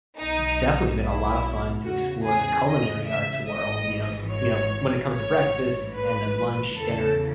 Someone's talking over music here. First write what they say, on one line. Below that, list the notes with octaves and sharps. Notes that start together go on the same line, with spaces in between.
it's definitely been a lot of fun to explore the culinary arts world, you know s you know, when it comes to breakfast and then lunch, dinner,
B1 B2 D#4
E4
E2 C#3 E3 F#4
G#4
D#5
E5
G#1 G#2 E3 D#5
C#5
A1 G#2 E3 C#5
B4
E2 C#3 E3 A4